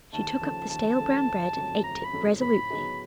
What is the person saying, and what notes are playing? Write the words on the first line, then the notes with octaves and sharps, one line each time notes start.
She took up the stale brown bread and ate it resolutely.
D#2 A5
C#3 F3 A3 C#4
D#2 A5
C#3 F3 A3 C#4
G1
F2 C#3 F#3 A3
G1 A#5
B5
F2 C#3 F#3 A3
A2 B5
F#3 B3 D#4 G#4